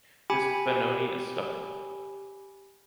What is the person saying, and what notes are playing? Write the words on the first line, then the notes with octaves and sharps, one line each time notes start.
This Benoni is stubborn.
G4 G#5 B5